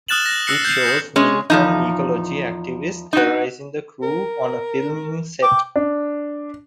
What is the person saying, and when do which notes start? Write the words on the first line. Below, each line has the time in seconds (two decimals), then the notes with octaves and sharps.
It shows militant ecologic activists terrorizing the crew on a filming set.
0.08 D#6 F6 F#6 A6 E7 F#7
0.26 A#6
0.47 D#6 E6 F#6 A#6 C7 C#7
0.65 G6 C7
0.86 D#6 G6
1.16 G#3 C#4
1.50 E2 F3 D#4
3.13 D#4 F#4
4.03 A#4
5.42 G5 D6
5.76 D4